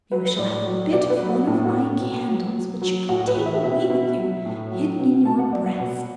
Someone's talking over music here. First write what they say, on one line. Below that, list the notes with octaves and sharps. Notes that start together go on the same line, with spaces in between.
You shall have a bit of one of my candles, which you can take away with you hidden in your breast.
F#3 B4
B4
A2 D5
F#3
B2 D5
B4
F#3
F#4
A2 E4
F#4
A2
B2
F#3
F#3
F#3
A2 F#4
B4
E3
E5
B2 E5
B2
F#3
A2
F#3
B2
B2 A5
F#5
F#3 D5
F#5
B2